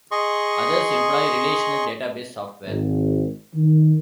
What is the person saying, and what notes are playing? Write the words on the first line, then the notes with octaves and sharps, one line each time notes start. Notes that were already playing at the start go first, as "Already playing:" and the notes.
Others employ relational database software.
G#4 D#5 C6 C#6
G#1
D#3